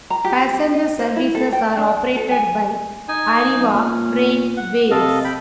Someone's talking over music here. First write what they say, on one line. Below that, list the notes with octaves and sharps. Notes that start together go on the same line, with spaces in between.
Passenger services are operated by Arriva Trains Wales.
A#5
G4
G4
D#5
C5
E4
A4
G5
D4
A4
G#5
D#4 G#5
B1
A#2 C#4
F#5
C3 A4 D#5 F5
G5 B5